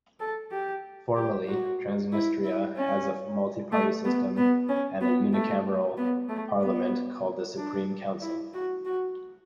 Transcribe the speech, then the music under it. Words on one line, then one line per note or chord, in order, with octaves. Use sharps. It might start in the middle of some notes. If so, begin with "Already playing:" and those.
Formally, Transnistria has a multi-party system and a unicameral parliament, called the Supreme Council.
A4
G4
G4
F#4
E4
E4
C#4
A3
B3
B3
C#4
B3
A3
B3
A3
B3
D4
E4
F#4
F#4